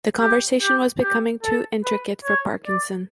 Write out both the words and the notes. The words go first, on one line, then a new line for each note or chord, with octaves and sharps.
The conversation was becoming too intricate for Parkinson.
G4
G4
G4
A4
B4
C#5
D5